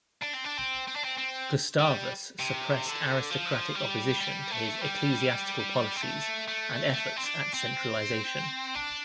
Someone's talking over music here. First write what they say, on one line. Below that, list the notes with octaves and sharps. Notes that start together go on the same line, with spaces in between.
Gustavus suppressed aristocratic opposition to his ecclesiastical policies and efforts at centralisation.
D4
C4
D4
C4
C4
D4
C4
C4
G3
C3
D3
F3
G3
G3
A3
G3
C4
A3
A3
A3
C4
D4
C4
D4